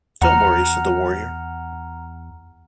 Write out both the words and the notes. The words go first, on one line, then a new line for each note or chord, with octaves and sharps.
"Don't worry" said the warrior.
E2 F#5 A#5 F6